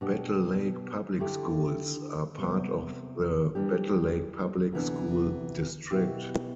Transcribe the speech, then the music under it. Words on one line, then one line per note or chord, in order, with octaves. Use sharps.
Battle Lake Public Schools are part of the Battle Lake Public School District.
B2 B3 D4 G4
D3 A3 E4 G4
C3 G3 B3
E3 G3 D4 G4
D2 C3 E3 B3 D4
B2 B3 E4 G4